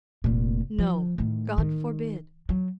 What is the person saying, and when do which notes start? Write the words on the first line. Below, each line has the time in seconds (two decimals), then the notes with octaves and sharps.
No, God forbid!
0.24 F1 A#2
0.79 F3
1.18 A2 D#3
1.58 D#3
2.49 F#3